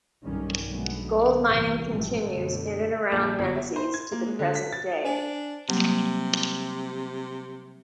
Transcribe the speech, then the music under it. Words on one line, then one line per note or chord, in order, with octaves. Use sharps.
Gold mining continues in and around Menzies to the present day.
B1 G2 D#3 G3 C#4
B1 D3 F#3 G#3 A3 B3
D3
G1 A2 C3 E3 G#3
G#1 B2 F3 G3 A3 C4
F#2 B2 D3 A3
A#1
G1
E5
C5
G#6
A#3
G#3
D3
B6
A6
D4 C5 G#5
C3 F#3 G3 A#3